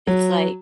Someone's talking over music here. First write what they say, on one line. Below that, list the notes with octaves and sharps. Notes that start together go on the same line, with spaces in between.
it's like
F#3